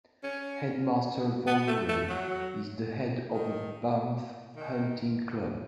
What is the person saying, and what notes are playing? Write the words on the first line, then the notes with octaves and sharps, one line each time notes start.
Headmaster Wolverine is the head of a "Bamf Hunting Club".
C#4
B3
A3
A3
F#3
D#3
D#3